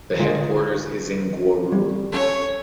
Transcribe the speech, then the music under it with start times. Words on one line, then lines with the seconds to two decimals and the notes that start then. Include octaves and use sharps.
The headquarters is in Gweru.
0.19 D3 G#3 F4
1.72 G3
2.13 C#4 A4 C#5